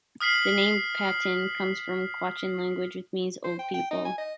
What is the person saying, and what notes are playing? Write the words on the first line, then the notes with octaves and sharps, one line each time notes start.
The name "Patayan" comes from the Quechan language and means "old people".
D#6 F6 B6 C7 F#7
C5
G5
G5
D#4
G#5
D#5